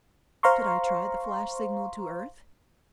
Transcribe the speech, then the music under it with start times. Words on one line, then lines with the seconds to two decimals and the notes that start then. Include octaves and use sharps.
Should I try the flash signal to Earth?
0.43 C5 F5 A#5 C6 C#6